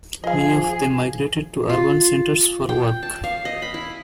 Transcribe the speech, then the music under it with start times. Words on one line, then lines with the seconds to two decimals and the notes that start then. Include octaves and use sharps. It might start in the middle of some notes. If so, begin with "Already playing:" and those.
Many of them migrated to urban centers for work.
0.24 F3 G#4 D#5 F5
1.69 F4
2.69 G5
3.03 A5
3.24 F5
3.45 D#5
3.62 B5
3.74 E4